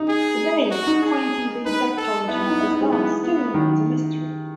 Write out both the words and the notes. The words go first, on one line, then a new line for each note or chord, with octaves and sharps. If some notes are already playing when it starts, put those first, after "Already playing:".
Today, pinpointing the exact origin of this dance still remains a mystery.
Already playing: D#4
G#4
F#4
D#4
G#4
D#4 B4
A4
B3 E4
E4
D#4
E4
D#4
G#3
E3 B3
B3
D#3